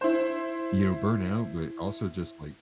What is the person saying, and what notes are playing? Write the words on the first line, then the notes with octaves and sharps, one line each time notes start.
You know, burnout, but, also just like
E4 C5